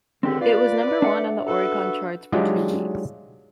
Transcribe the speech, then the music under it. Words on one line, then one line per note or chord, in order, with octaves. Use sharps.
It was number one on the Oricon charts for two weeks.
C#2 D3 D#3 C4 D4 G4
F4 B4 D5
D4 E5 F#5
F#4 A4 B4
F#3 G#3 D4 D#4 F4 G4